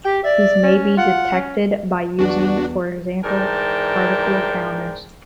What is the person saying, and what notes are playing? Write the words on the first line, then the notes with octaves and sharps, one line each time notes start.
These may be detected by using for example particle counters.
G4 G5
D5 E5
C#4
F4 F#5
C#4
E2 D4 F#4
G#2 E3 A#4 D5 G5 A5